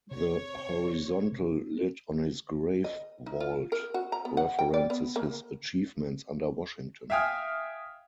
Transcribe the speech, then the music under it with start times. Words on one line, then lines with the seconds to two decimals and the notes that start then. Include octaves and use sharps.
The horizontal lid on his grave vault references his achievements under Washington.
0.11 C3 C#5
2.84 D#5
3.26 D#4
3.40 F4
3.72 A#4
3.94 F#4
4.12 A#5
4.25 B3
4.37 F#5
4.59 G5
4.74 D5
4.90 B3
5.16 A#3
7.10 E5 F5 G5 G#5 D#6 F6